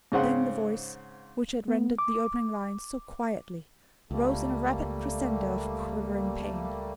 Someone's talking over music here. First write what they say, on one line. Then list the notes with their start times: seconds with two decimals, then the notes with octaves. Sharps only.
Then the voice, which had rendered the opening lines so quietly, rose in a rapid crescendo of quivering pain.
0.12 G#2 C#3 C4 F#5
1.68 B3
1.98 D6
4.11 C#2 G3 A3 A#3